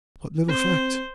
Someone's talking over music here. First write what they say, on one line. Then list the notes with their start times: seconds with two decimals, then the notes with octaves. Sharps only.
"What little fact?"
0.48 C4 C5